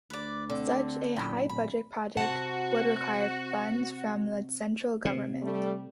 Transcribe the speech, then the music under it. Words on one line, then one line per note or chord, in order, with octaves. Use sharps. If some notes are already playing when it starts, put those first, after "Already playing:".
Such a high-budget project would require funds from the Central Government.
D2 B4 D5
D3 C4 D6
F#1 A#2 G5 B5
D1 A#2 B5
C3 F#4 F#5 A5
C3
G3 A3